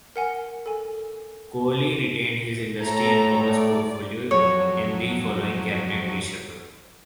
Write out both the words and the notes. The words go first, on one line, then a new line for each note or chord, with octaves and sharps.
Colley retained his Industry and Commerce portfolio in the following cabinet reshuffle.
A#4 F#5 G#5
A4 G#5
A2 A3 A4 A#5
D5
F2 F#3 C#5